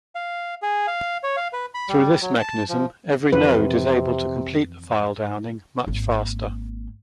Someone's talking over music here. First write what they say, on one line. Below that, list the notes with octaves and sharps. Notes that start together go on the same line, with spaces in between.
Through this mechanism, every node is able to complete the file downing much faster.
F5
G#4
F5
C#5
F5
B4
B5
G3
F#3
A5
F3
F2 C3 E3 B4
G#1 A#3